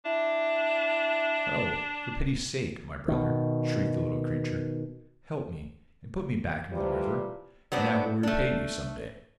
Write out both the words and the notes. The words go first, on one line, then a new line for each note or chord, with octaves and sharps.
'Oh, for pity's sake, my brother,' shrieked the little creature, 'help me, and put me back into the river, and I will repay you some day.
D4 E4
B2 D#3
C3 E3 F3 G3
F#3 B3 C4 D4
A3 D4